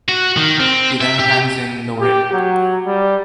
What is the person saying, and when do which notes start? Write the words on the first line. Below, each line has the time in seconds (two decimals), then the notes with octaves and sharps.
He then hands in the writ.
0.09 F#4
0.37 D#3
0.60 C4
1.01 E5
1.19 G4
2.01 G4
2.33 F#3
2.87 G3